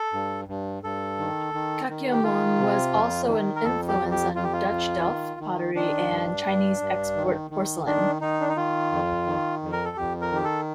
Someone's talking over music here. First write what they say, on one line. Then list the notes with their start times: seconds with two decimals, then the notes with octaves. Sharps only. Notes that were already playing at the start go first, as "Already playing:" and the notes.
Kakiemon was also an influence on Dutch Delft pottery and Chinese export porcelain.
Already playing: A4
0.13 G2
0.48 G2
0.83 G2 A4
1.19 D#3
1.54 D#3
1.89 D#3
2.12 G4
2.23 D#3 F4
2.60 C3
2.94 F2
3.29 D#3
3.56 A#4
3.64 F2 A4
3.88 G4
4.00 F2
4.11 G4
4.34 F2 F4
4.44 G4
4.53 F4
4.70 F2
5.05 D#3
5.40 D#3
5.75 D#3 D4
6.10 G2
6.46 G2
6.81 G2
7.16 D#3
7.51 D#3
7.86 D#3 D4
8.21 D#3 D#4
8.41 D4
8.49 D#4
8.57 D#3 F4
8.92 F2
9.27 D#3
9.62 F2
9.72 A#4
9.85 A4
9.97 F2 G4
10.21 A#4
10.32 D#3 G4
10.44 A4